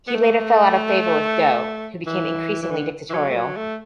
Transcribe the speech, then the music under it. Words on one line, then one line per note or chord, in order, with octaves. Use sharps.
He later fell out of favor with Doe, who became increasingly dictatorial.
B3
A3
E3
E3
D3
E3
F#3
A3
F#3
A3